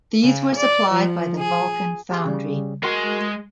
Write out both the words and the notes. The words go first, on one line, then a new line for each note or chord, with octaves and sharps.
These were supplied by the Vulcan Foundry.
C#3
D5
F3
G#4
G4 G#4 C6
C#3 G3
G#3 F#4 A#4 C6